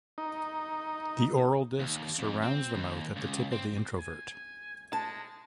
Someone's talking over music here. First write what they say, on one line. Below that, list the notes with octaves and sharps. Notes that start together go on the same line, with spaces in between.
The oral disc surrounds the mouth at the tip of the introvert.
D#4
D#2
F2
C4
D#2
C#2
C4
G#5
G#3 A5